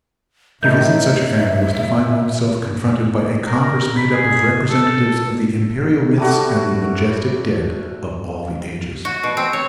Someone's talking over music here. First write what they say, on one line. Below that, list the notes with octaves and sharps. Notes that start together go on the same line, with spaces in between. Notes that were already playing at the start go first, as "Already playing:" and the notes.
To visit such a family, was to find one's self confronted by a congress made up of representatives of the imperial myths and the majestic dead of all the ages.
A2 A#4 D#5 E5 A#5 G6
A#4
B5
G#4
A4
G3 A3 F#4
F#4
B2
C4
C#5